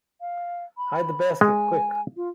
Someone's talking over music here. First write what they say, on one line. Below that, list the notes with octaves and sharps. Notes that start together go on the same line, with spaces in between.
Hide the basket, quick!
F5
B5
G#3 G#5
F4